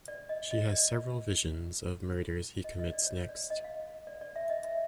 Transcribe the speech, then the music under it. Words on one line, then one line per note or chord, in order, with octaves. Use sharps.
She has several visions of murders he commits next.
D5
D#5
D#5
D5
D#5
D#5
D5
C#5
D5
D#5
F5
D5
D5
E5
D#5
E5